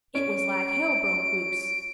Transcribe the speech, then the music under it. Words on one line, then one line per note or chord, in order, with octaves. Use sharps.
It was like hell broke loose.
C#4 D7